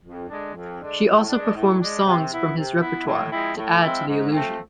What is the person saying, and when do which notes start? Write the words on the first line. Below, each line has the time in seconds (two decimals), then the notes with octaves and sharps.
She also performed songs from his repertoire, to add to the illusion.
0.04 F2
0.29 D3 G#3 D4
0.54 F2
0.79 D3 G#3 D4
1.05 A2
1.29 G#3 D4
1.54 A2
1.80 G#3 D4
2.05 C3
2.30 E3 B3 E4
2.56 C3
2.80 E3 B3 E4
3.06 A2
3.31 F3 G#3 C4 E4
3.56 A2
3.81 F3 G#3 C4 E4
4.07 G#2
4.32 F3 A3 C4